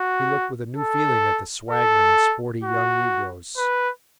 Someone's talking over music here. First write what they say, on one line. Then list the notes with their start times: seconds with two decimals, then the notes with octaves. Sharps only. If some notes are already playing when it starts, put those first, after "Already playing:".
He looked with a new feeling at the swaggering, sporty young negroes.
Already playing: F#4
0.77 A4
1.71 A4
2.64 F#4
3.57 B4